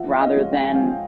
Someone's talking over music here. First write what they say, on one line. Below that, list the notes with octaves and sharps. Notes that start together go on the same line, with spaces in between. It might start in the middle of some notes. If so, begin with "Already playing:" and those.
rather than
Already playing: F3 E5 F#5
E5
D#5 F5
G#3 C#4
G5
G#5
F5 G5
F3